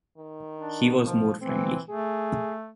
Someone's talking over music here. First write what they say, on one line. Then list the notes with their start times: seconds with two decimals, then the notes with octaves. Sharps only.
He was more friendly.
0.18 D#3
0.56 D4
1.03 F3
1.41 E3 C4
1.89 A3 G#4